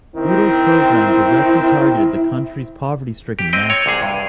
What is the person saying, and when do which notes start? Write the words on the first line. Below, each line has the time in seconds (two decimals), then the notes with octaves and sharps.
Bhutto's program directly targeted the country's poverty-stricken masses.
0.16 D#3 C4 E4
3.39 G4
3.53 C4 D#5 G5
3.70 C#5
3.86 C2 C3 G#4
4.02 G2